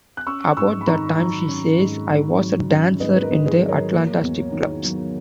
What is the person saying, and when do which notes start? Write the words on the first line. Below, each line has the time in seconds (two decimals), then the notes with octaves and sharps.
About that time, she says, I was a dancer in the Atlanta strip clubs.
0.17 F#6
0.27 C#4 C#6 E6
0.57 G#2 C#6 E6
0.81 B5
0.87 D#3 A#5 C#6
1.17 F#3
1.48 C#4
1.79 G#2
2.09 D#3
2.39 F#3
2.70 C#4
3.00 G#2 B4 D#5
3.16 B4
3.23 A#4
3.31 D#3
3.46 G#4 B4
3.61 F#3
3.68 A#4 C#5
3.92 A#3
4.22 E2
4.52 D#3
4.83 F#3